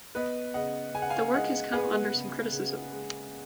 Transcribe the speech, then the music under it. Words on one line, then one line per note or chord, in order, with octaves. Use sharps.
The work has come under some criticism.
B3 B4 D#5
C#3 D#5 F#5
C#3 G#5
F#5
F5 G#5
G#3 D#5 F#5
B3 G#4 B4
C#3
C#3
G#3